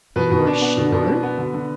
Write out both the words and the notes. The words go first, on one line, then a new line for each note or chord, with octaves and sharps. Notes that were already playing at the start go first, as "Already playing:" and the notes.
"You are sure?"
B2 B4
B2
D4
B3
B2
B2
D4
B3
D3
D3